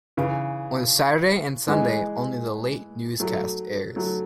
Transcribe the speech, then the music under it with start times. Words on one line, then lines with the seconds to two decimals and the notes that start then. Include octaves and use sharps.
On Saturday and Sunday, only the late newscast airs.
0.17 C#3 E3
1.68 E3 G#3
3.20 F#3 A3
3.96 F#3 A3